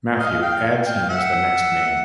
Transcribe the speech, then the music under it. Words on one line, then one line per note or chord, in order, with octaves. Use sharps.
Matthew adds him as the next name.
D#5 F5
F5 G5
F5 G5
E5 F#5